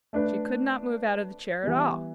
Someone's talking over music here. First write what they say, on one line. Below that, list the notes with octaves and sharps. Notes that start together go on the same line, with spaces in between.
She could not move out of the chair at all.
A3 D4 B4
E3 G3 B3